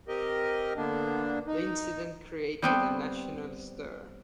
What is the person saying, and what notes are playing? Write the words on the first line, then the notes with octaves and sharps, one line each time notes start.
The incident created a national stir.
C4 G4 A#4 D#5
D3 A#3 B3 D4
D#4
G3 B3 C4